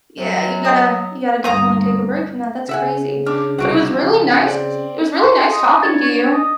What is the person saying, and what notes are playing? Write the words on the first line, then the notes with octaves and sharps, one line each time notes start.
Yeah, you gotta you gotta definitely take a break from that, that's crazy. But it was really nice it was really nice talking to you.
F#2 F#3
D#5
D2 G2 A#5 D#6
C#3 E5 F#5 G#5
D4 D6 F6
C2 F4 F#4 F#5 D7
C#3 F3
C#3 C4 D5
C6 C#6
D#5
D4 C#5 A6
C#5
D#5